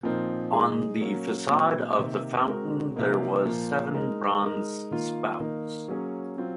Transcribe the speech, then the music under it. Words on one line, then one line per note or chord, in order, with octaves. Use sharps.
On the facade of the fountain there were seven bronze spouts.
A#2 F3 C4 D#4 A#4
G#3 D#4 G#4
F#3 A#3 C#4
A#2 F#3 C4
C3 D#3 A#3
G#3 C4 F#4 A#4
C3 F3 A#3 D#4
A#2 F3 A#3
G#3 D#4 A#4
G#3 D#4 A#4
D#3 A#3 F4
D#3 A#3 D#4 A#4
F#3 A#3 C#4 G#4
F#3 C4 F4